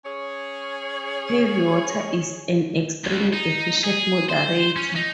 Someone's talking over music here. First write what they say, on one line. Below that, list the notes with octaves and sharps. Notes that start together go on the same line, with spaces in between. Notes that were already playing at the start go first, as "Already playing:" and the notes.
Heavy Water is an extremely efficient moderator.
C#4 G#4 C#5
C#2
D#4
G#4
C5
C#4
D#4